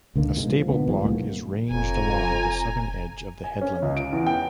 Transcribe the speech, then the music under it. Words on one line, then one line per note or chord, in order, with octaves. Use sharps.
A stable block is ranged along the southern edge of the headland.
C#2 D3 D#3 A#3
G#2 B2 G#3
F3
B2 D3 D#3 B3
D#3 F3 G#3
C2 A2 F#3 A#3
F1 F2 G#5 A#5
G#5
C#4
C#2
D7
E2
G5